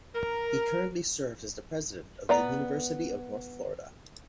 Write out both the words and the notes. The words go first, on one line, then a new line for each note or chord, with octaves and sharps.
He currently serves as the president of the University of North Florida.
A#4
B3 D5 A#5